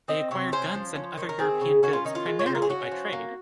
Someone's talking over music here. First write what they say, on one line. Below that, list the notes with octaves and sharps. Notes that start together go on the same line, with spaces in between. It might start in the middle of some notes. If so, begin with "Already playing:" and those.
They acquired guns and other European goods primarily by trade.
C4 D#5
C3 C#5
C#4 C5
F3
C#4
D#3
A#4
C4 G#4
C#3
C#4 F#4
F4
D#3 D#4
F4
G#3
C#5
C#3 C5
A#4
G#4
C#4 F#4
F3
A#3